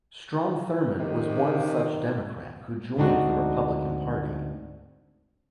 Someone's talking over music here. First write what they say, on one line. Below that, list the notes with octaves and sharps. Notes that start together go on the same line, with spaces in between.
Strom Thurmond was one such Democrat who joined the Republican party.
C3 D#3
D2 G#2 C4 D4 D#4 F#4